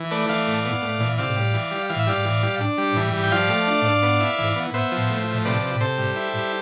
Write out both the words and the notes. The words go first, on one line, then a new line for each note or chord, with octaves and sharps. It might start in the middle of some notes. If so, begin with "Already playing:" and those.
The current events and the nonsense of everyday life are the main sources of his inspiration.
Already playing: E3
A3 B4 D5
E3 D5 F5
A2
B3
A2
E3
C3 D5 F5
G3
E3
G3
E3 F5
E5
G3 D5 F5
E3
G3
D4
G3
E3
G3
G5
F3 D5 F5
A3
D4
D4
B3
E4
E3
B3
B3 C5 E5
F3
A2
F3
C3 B4 D5
C3
C3 A4 C5
G3
E4
G3